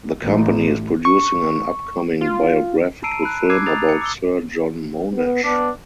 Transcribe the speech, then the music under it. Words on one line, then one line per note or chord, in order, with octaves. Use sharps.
The company is producing an upcoming biographical film about Sir John Monash.
A1
C#6
F4
A5 A#5 E6 C7 D7 D#7
B5 F#6
D6 E6 F#6 G#6 C7
A#5 D#6 A6 F7
C#7
D6 E6 G7
B3
B3 D4